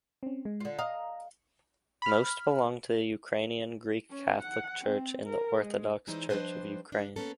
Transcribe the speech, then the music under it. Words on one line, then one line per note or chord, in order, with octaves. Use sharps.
Most belong to the Ukrainian Greek Catholic Church and the Orthodox Church of Ukraine.
C4 C#4
G#3
D3 F4
D#5 F5 A#5
B5 F6
C#4
F#5
C4
A#4
G#3
E3 G#3 D#4 E4 C5 D5
F3 G3 D4 B4 C5 D#5
D4
A#3 B3 C#4 A4